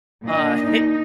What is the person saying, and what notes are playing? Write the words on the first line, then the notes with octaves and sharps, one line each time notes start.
uh, heh
A#2 A#3 D4 D#5
D#4